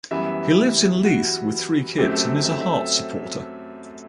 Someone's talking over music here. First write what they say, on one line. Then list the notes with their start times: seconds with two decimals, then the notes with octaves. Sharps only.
He lives in Leith, with three kids, and is a Hearts supporter.
0.11 F#2 E3 G3 B3 E5
1.05 F#4
1.98 F#2 F#3 A3 C4 G4
2.14 A4
2.45 E5
2.61 E5